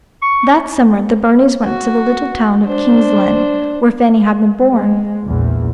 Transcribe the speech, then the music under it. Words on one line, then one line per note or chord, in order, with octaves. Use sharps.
That summer the Burneys went to the little town of King's Lynn, where Fanny had been born.
C#6
F#4
D4 C5
G#3
A#1 E2